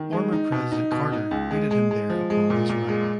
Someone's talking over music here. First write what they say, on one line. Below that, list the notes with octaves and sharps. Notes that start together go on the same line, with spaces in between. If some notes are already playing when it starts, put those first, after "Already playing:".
Former President Carter greeted him there upon his arrival.
Already playing: D#3
G#3
D#4
B2
D#4
B2
D#4
C#2
G#3
G#3
G#3
F3
G#3
A#2
A#2
G#3